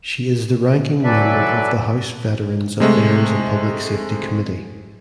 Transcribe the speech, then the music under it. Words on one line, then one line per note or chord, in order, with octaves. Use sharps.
She is the ranking member of the House Veterans Affairs and Public Safety Committee.
E3 F#3 A4 B4 D5 E5
C3 G#3 A3